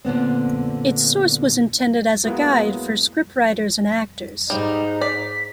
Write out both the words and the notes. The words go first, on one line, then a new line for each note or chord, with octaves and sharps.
Its source was intended as a guide for scriptwriters and actors.
A#2 D3 B3 C4
F#3 G#3 A#3 B3 E4
G#2 G3 D#4
D5 B6